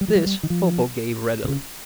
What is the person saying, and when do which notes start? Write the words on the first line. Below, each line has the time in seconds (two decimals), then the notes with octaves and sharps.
This Bobo gave readily.
0.01 G3
0.08 F3
0.15 G3
0.26 G3
0.43 D#3
0.50 F3
1.44 C3
1.48 C#3